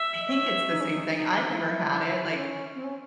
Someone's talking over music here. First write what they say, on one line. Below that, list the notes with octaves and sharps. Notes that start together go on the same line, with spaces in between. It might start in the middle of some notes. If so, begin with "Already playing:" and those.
I think it's the same thing. I've never had it, like,
Already playing: E5
D#5
C#5 E5
D#4
C#4
D#4
E4
E4
C#4
C4
C#4